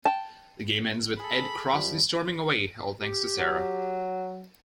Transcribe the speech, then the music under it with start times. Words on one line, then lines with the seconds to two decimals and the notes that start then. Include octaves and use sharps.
The game ends with Ed crossly storming away, all thanks to Sarah.
0.05 G5 A5
1.20 G#4 A4 B5
1.72 F#2 F3 G3
3.00 G4
3.38 F#3